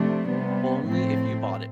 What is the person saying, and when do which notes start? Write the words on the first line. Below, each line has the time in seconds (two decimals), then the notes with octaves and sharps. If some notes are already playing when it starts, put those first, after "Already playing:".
Only if you bought it.
Already playing: C3 F3 A3 D4
0.28 C3 G3 B3
0.87 A2 F3 A3 C4